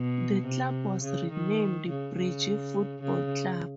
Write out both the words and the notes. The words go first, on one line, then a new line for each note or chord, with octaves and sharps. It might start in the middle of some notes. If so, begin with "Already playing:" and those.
The club was renamed "Bridge Football Club".
Already playing: B2
C3
C#3
D#3
C#3
C#3
C#3